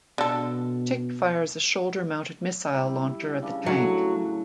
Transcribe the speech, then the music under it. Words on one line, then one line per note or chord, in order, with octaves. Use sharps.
Tick fires a shoulder-mounted missile launcher at the tank.
B2 D3 A4
G3 E4
C#3 D4
A2 F#3 C#6